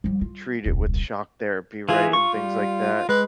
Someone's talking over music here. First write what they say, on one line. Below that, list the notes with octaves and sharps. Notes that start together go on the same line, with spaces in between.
treat it with shock therapy, right, and things like that.
F3 G3
F4
D#1 C2
E3 F4 G#4
F4 C#6
G3
G#3 B4